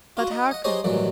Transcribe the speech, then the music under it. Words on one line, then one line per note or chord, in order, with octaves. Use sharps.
But hearken!
F4 F#4
D#4
D#5 F#5
D#4 G4 G#4 C5 C#5 D#5
A1 G2 D#3 E3 F#3